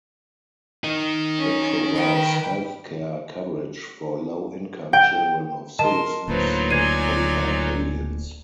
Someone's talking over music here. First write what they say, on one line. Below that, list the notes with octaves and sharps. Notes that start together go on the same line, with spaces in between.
It provides health care coverage for low-income children of citizens and qualified aliens.
D#3 D#4
C#4
B4 G5
G5
A#4 D#5 A5 C6 E7
D1 D2 F#3 A#3 D#4 F4 B4 C5
D5 G#5 G#6 C7 D#7